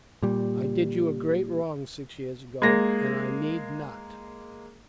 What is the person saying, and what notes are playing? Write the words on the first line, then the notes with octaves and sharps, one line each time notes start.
"I did you a great wrong six years ago, and I need not."
A#2 G3
G#3 A#3 A#6